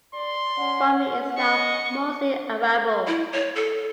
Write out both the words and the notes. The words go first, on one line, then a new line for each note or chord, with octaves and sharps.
Farming is now mostly arable.
D5 C6
C#4 F#5
D#5 C#6
E4
C#5
A4